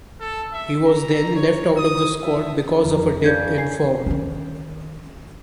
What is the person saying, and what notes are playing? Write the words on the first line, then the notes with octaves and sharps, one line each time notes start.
He was then left out of the squad because of a dip in form.
A4
E5
A#5
C#5
D#6
E5
F2 E3 A#4
C#3 D4 D5 G6 G#6
G#5 C7
D#3 C#4